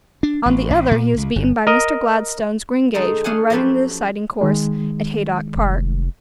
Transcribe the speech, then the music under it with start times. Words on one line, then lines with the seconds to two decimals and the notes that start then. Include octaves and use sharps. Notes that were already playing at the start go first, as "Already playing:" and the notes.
On the other he was beaten by Mr. Gladstone's Greengage, when running the deciding course at Haydock Park.
0.23 D4
0.46 A1
0.70 A1
0.91 A#2
1.17 C#2
1.36 G1
1.67 A#4 D#5
2.94 D3 G#3 D#4 A4
3.24 A3 G#4 F5 F#5 G#5
3.50 F3 F#3 C#4 G4 A4 B4
4.41 D#3 G#3
5.56 F1